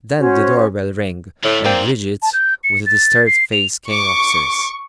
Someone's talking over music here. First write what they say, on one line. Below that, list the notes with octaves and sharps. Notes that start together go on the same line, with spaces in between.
Then the door bell rang, and Bridget, with a disturbed face, came up stairs.
C#4 F#4 C5
A2 D3 A3
G#2 A#3 C4 D5 G5
A5
G6
C#7
A6
C7
F7
C#6 D6